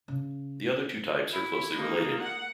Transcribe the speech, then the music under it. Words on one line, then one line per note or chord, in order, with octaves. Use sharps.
The other two types are closely related.
C#3
E4
A#3 D#4
F#5